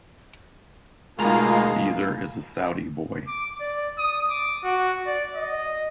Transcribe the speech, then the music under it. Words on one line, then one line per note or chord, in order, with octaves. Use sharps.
Cesar is a Saudi boy.
D2 B2 G#3 A#3 D#4 F4 A#5
D6
D5
D#6
D6
F#4
D5
D#5